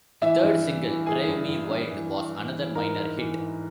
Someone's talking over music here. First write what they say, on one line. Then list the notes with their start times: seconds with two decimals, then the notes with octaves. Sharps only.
The third single, "Drive Me Wild", was another minor hit.
0.22 E3 E4 E5
0.44 G2
0.64 E3
0.85 E3
1.06 E3 G#4 G#5
1.28 G2
1.49 G2
1.70 G2
1.91 E3
2.12 E3
2.33 E3
2.55 E3
2.75 G#2 A#4 A#5
2.96 G#2
3.17 E3
3.39 G#2